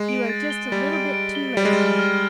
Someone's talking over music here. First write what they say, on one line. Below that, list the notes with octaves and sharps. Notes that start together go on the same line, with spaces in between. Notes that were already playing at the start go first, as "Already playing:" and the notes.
You are just a little bit too late, mother.
Already playing: G#3
D7
A6
G7
G3 A6
D7
D7
G7
G3 D7
G#3
G3 F6
F6